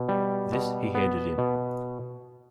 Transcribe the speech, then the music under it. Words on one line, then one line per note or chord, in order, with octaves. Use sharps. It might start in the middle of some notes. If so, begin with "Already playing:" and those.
This he handed in.
Already playing: B2
G3
B2
B3
B2